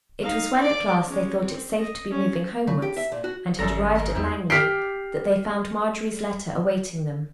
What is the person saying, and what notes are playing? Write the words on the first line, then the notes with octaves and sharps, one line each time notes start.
It was when at last they thought it safe to be moving homewards, and had arrived at Langley, that they found Marjorie's letter awaiting them.
D#4 F5
D5 D6
G#3 C#4
C4
D#5
C#4
C#3
G4
E5
A#2
F#4
G#1 F#2 A4 A#5 A#6
A#4 D#5
E2 D#4 E4 G4
G4 G5 F6 B6 C7